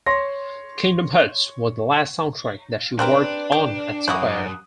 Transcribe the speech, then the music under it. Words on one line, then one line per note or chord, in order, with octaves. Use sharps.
"Kingdom Hearts" was the last soundtrack that she worked on at Square.
C#5 C6 A#6
G3 C4 D4 A#4 B4 G5 F#6
G4
F#2 C#4 E4 F#4 D6 D#6 F#6